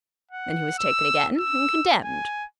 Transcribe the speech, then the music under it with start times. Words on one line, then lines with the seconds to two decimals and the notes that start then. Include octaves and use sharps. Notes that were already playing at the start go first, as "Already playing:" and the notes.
Then he was taken again, and condemned.
0.31 F#5
0.78 E6
1.37 E6
2.04 G#5